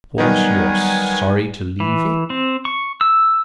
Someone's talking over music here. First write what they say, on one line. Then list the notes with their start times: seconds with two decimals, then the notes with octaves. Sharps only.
"Because you are sorry to leave it?"
0.18 D#3 F#3 G3 B3 D#4 F#5 G#5
1.80 E3
2.30 C4
2.65 C#6
3.01 E6